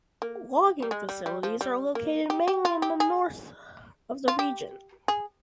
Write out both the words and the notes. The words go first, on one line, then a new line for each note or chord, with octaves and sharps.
Logging facilities are located mainly in the north of the region.
A#3
G3
G#3
G3
G3
F3
G3
A#3
G4
G4
F4
G4
G#4
F4
G4
G#4